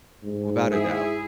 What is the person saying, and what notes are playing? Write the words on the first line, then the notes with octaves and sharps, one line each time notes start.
Without a doubt.
G#2
E4 G#4